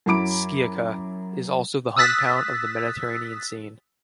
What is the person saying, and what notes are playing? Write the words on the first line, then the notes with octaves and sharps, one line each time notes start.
Sciacca is also the hometown of the Mediterranean Scene.
F#2 F#3 E4 B5 D6 D7
D#6 E6 F#6 A6 B6